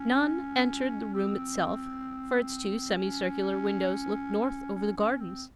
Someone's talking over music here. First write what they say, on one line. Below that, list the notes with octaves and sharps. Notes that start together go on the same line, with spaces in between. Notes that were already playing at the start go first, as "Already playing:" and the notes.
None entered the room itself, for its two semi-circular windows looked north over the gardens.
Already playing: C#4
C4
C#4
C#4
C#4
C4